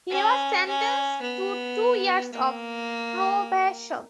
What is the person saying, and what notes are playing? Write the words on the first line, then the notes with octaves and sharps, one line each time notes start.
He was sentenced to two years of probation.
C#4
C#4
B3
A#3